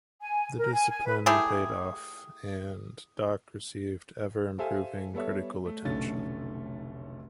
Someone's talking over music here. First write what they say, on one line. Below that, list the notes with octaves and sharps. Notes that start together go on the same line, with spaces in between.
The discipline paid off, and Doc received ever-improving critical attention.
G#5
A#4
G#5
G#5
B4
A3 E4 G4 G#4
G4 A4 C5 E5 F5 G#5
G3 B3 A4 C#5 E5
A3
F1 B1 D3 A3 C#4 A6